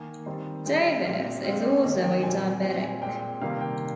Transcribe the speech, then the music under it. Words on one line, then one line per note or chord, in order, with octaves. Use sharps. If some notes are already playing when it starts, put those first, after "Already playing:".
Davis is also a diabetic.
Already playing: D#3 A#3 G#5
D#3 G3 C4
D3 G3 C4 G5
G5
A#2 G3 C4 F5
D3 G#3 C4 F5
D5
D#5
D#3 A#3 D#5
G5
A#2 G3 C4 G#5
G#5
G5
A#2 G3 C4 G5
G#5
A#2 G#3 C4 G5
C3 D#3 G3 A#3 F5
G5